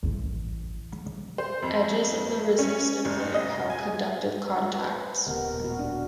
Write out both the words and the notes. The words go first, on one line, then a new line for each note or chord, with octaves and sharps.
Edges of the resistive layer have conductive contacts.
A1 E3
C5
F2
C#4
F1
D#5
G#5
B4 C5
D#1 B2 A#4 F#5
F#4
D4 F#4